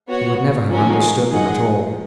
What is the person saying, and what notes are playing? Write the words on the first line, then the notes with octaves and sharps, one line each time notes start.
He would never have understood them at all.
B3 F#4 C#5 F#5
F3 C#4 F#4 A#4
D#3 F#3
F3 G#3
F3 G#3
D#3 F#3 G#4 D#5 F#5
F3 G#3